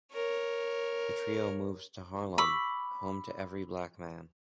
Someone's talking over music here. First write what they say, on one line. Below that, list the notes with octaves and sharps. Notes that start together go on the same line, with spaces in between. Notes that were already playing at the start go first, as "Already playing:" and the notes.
The trio moves to Harlem, "home to every black man".
A#4 C#5
B5 C#6 D6 E6